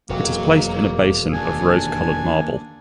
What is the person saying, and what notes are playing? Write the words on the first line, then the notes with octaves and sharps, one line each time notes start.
It is placed in a basin of rose-colored marble.
E1 F2 F#3 A#3
D#2 D4 G#5